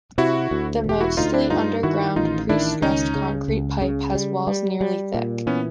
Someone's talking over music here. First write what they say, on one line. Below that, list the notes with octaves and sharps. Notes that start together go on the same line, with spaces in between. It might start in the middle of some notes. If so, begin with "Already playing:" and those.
The mostly underground, pre-stressed concrete pipe has walls nearly thick.
C3 E4 F#4
D2
E1
G4
E4 F#4
D2 D#4 F4
D4 E4
G2 D#4 F4
D#3 E4 F#4
A1 D#4 F4
D#3 D4 E4
C#2 C#4 D#4
C#3
C#2
C#3
G3
G3
G3
A#2
E3 B3 C#4